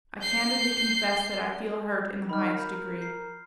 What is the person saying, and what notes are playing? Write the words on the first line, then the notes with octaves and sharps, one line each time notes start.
I candidly confess that I feel hurt in the highest degree.
G6 C7
D#3 B5 F6
A#4 B5 G6
G6 C7